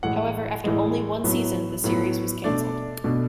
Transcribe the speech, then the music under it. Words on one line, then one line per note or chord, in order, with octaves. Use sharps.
However, after only one season, the series was cancelled.
A2 E3 G#3 F#5
A2 E3 G#3
A2 F#3 B3
A2 F#3 B3
B2 A3 D4 D5
B2 A3 D4